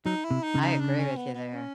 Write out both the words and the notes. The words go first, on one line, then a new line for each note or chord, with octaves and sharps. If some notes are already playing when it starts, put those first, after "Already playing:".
I agree with you there.
F#3 D#4
E4
C3
D#4
C#3
D#4
D4
C#4
B3
B3
C#4